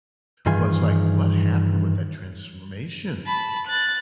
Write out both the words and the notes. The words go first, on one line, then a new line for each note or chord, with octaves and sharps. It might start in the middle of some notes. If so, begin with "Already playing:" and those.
was like, "What happened with that transformation?"
G2 D#3 E3 F4 G#4 G#5
A5 B5
F#6 A6